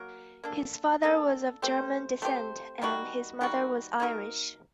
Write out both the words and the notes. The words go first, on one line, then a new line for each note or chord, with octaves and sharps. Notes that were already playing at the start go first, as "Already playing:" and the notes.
His father was of German descent, and his mother was Irish.
Already playing: F#3 A#3 F#4 A#4
A#3 D4 A4
A#3 D4 A4
A3 C4 G4 C5
A3 C4 G4 C5
D#3 G3 A#3 F#4
D#3 G3 A#3 F#4
A#3 D#4 F#4 A#4